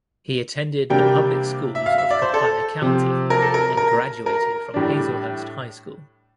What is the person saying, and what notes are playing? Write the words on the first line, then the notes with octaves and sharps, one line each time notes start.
He attended the public schools of Copiah County and graduated from Hazlehurst High School.
C3 G3 A#3 D4 G5
E5
F5
E5
D5
C5
A4
C3 F3 C4
A#4
A4
A#4
A#4
A#4
A2 G3 D4